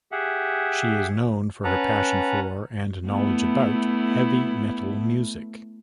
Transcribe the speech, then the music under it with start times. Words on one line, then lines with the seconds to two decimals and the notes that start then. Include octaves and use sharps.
She is known for her passion for and knowledge about heavy metal music.
0.12 G4 G#4 E5 F#5
1.64 C#4 B4 F#5 A5 A#5
3.08 A3 B3 E4